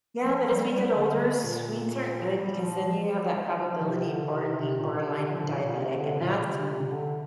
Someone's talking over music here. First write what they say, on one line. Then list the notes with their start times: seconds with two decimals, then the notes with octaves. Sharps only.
Yeah, but as we get older, sweets aren't good because then you have that probability of border being borderline diabetic, and that's n
0.23 F3
0.48 G3
0.72 G3
0.95 D3
1.19 D3
1.43 A#2
2.38 G3
2.62 F3
2.87 F3
3.82 C3
4.05 D3
4.29 C3
4.53 C3
4.78 A#2
5.00 C3
5.24 D3
5.32 F3
5.39 D3
5.48 A#2
5.56 C3
5.63 A#2
5.73 C3
5.96 D3
6.20 A#2
6.44 C3
6.68 C3
6.91 D3